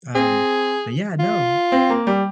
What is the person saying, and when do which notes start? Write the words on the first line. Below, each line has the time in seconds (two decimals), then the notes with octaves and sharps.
um, but, yeah, no.
0.15 C4 G#4
1.19 F4
1.72 C4
1.90 A#3
2.07 G3